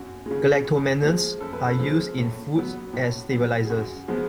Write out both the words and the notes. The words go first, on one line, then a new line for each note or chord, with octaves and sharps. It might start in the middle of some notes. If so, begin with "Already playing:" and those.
Galactomannans are used in foods as stabilisers.
Already playing: F#2 F#4
C#3 G#3
F#2
F3 G#3
F#2 A4
B4
A4
F3 G#3
A2
F#3 B3
A2
F#3 B3
G#4
F#2 F#4
F3 G#3 B3